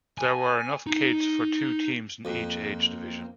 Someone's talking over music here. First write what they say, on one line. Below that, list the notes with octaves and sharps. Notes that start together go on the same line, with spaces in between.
There were enough kids for two teams in each age division.
G#5
D#4
F2 A#3 C4